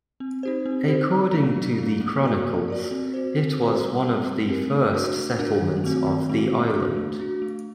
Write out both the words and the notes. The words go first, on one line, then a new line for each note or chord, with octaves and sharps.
According to the chronicles, it was one of the first settlements of the island.
C4
D#4 G4 C5
C4
D#4 G4 C5
F#3
A3 D4
F#3
A3 D4
A#3
F#4 A#4 D5
A#3
F#4 A#4 D5
C4
F#4 C5
C4
F#4 C5
G3
C4 G4 A#4
G3
C4 G4 A#4
A3
D4 F#4 A#4
A3
D4 F#4 A#4
D#3
A3 C4 F#4
D#3
A3 C4 F#4
A3
D4 F#4
A3
D4 F#4
A3